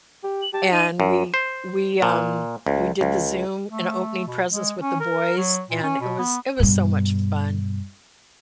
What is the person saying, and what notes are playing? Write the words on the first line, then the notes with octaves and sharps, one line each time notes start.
and we we, um we did the Zoom and opening presents with the boys and it was it was so much fun.
G4
F#7
G4 A5
D#4 D#7
F#2
C5
A#2
C#2
C#2
A3
B2
G#3
C#4
A#4
F#3
A#2
C#4
B2
B3
G2 B2